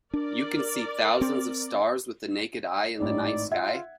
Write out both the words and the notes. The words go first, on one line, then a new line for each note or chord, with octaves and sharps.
You can see thousands of stars with the naked eye in the night sky?
D4 A#4 D5
C4
G#1 A2 D#4 D5
F4 E5 F#5 G#6